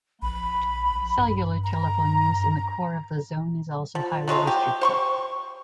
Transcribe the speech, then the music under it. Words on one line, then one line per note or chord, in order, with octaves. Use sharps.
Cellular telephone use in the core of the zone is also highly restricted.
A#1 B5
G2
A#5
F3
F3 G#3 A3 D#4
G4
C5 C6 C#6